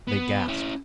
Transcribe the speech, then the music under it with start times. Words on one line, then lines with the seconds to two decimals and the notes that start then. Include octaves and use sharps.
They gasped.
0.08 B3
0.48 C#4 E4